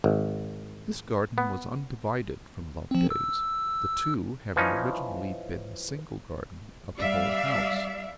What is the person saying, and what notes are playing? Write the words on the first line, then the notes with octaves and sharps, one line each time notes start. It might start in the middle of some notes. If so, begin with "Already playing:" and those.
This garden was undivided from Loveday's, the two having originally been the single garden of the whole house.
G#1
B3
F3 C4
E6
E3 F3 C#4 D#4
G3 D5 E5 F5